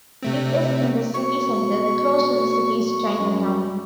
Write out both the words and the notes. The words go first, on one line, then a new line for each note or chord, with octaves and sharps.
It is in the city centre, close to the city's Chinatown.
C3 A3 C4
B2 C#6
F#2